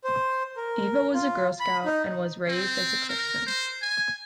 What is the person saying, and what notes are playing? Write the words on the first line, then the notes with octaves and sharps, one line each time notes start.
Iva was a Girl Scout, and was raised as a Christian.
C5
A#4
F4
B5
D#4
C4
A#4
C5
G#5